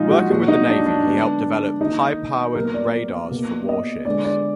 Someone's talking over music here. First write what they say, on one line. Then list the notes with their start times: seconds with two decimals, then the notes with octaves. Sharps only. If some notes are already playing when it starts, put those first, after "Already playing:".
Working with the Navy, he helped develop high-powered radars for warships.
Already playing: A#2 F3 G#3 D#4 F4
0.11 F#4
0.29 A#2 F#3 A#3 F#4
0.48 D#4
0.68 D4
0.86 D4
1.05 D3 G#3 B3
1.80 D#3 A#3 D#4
2.55 B2 F#3 A#3 A#4
2.74 D5
3.31 B2 A#3
3.69 D#5
4.05 D3 G#3 B3 D5
4.25 D5